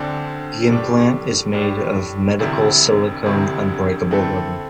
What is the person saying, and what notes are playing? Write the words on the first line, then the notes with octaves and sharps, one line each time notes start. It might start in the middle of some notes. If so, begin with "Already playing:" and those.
The implant is made of medical silicone unbreakable rubber.
Already playing: D2 D3 C4 A4 D5
A2 G3 D4
A2 G3 D4
E1 D2 C3 G3 E4
E1 D2 C3 G3 E4
D3 A3 C4 E4 A4